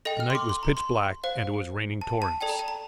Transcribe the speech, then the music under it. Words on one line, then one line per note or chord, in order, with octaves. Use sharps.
The night was pitch black and it was raining torrents.
A4 D#5 G5 A#6
F6
C6
D6
C6
A#5
C6
C5 F5
A5
A5
A4 D5 G5 A5
A#5
A5
A#5